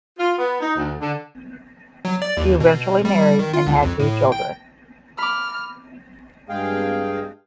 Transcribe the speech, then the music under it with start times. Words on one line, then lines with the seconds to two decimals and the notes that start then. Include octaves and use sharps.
She eventually married and had two children.
0.17 F4
0.37 B3
0.59 D#4
0.76 D2
0.99 D3
2.05 F#3
2.22 D5
2.37 D#2
2.60 B2
3.05 G3
3.39 D#3
3.54 F4
3.67 C#2
3.82 F2
4.00 A2
4.32 G5
5.18 B5 D6 F6
6.49 G2 G#3 G#4 F5 G5